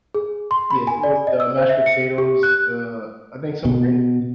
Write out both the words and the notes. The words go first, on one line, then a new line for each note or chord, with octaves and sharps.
Yes, it was the mashed potatoes, uh, I think some gravy
G#4
C6
B5
G#5
D5
D#5
E6
C5
E5
C#7
G4
F#6
B2